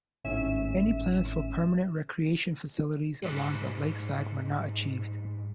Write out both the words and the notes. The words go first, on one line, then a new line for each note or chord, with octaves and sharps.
Any plans for permanent recreation facilities along the lakeside were not achieved.
G#1 A2 C#4 E5 E7
G#2 G3